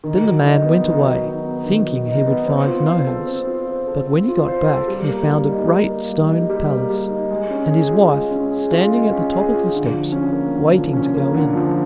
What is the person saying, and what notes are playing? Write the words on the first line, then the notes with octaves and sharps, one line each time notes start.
Then the man went away, thinking he would find no house, but when he got back he found a great stone palace, and his wife standing at the top of the steps, waiting to go in.
D#3
F#3
D#4
B3
D#3
F#3
D#4
B3
D#3
F#3
D#4
B3
C4
F4
C5
A4
C4
F4
C5
A4
C4
F4
C5
A4
G3
A#3
G3
D#4
G3
A#3
G3
D#4
G3
A#3
G3
D#4
G#3
C#4
G#4
F4
G#3
C#4
G#4
F4
G#3
C#4
G#4
F4
D3
F3
C#4
A#3
D3
F3
C#4
A#3
D3
F3